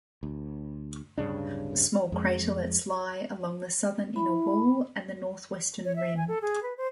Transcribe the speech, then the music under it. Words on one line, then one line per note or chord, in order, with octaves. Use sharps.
Small craterlets lie along the southern inner wall and the northwestern rim.
D2
D1 G2 C#3 D4
F2 G#3
E4 B5
C#5
E5
G#5
A4
G#4
B4
C5